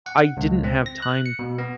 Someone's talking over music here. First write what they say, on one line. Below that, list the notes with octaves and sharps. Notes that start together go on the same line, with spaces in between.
I didn't have time
F#5
C#2
C4
A#6
F#6
C#7
B2
B3